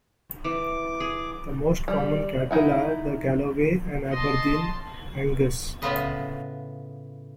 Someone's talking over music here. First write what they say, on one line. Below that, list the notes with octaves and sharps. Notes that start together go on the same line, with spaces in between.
The most common cattle are the Galloway and Aberdeen Angus.
E3 D6
G#4
G3
D#4 E4 F#5
D#5 A5 C6
A2 C#3 B3 F4 B4 D#5